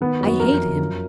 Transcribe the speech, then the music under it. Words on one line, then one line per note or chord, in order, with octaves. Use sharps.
"I hate him!"
D#3 B3
F#2
F#4
F2 A#4
F3
F#2